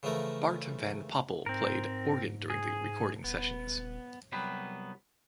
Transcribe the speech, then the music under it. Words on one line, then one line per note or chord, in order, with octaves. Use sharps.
Bart Van Poppel played organ during the recording sessions.
C#3 E3 F3 A3 A#4
G#2 C4 A#4
G#4
D#1 B3
C2 F#3 B3 G4 B5